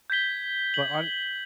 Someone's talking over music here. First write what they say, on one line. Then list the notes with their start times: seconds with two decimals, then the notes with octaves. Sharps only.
But hone
0.10 G6 G#6 B6 G7
0.74 F#7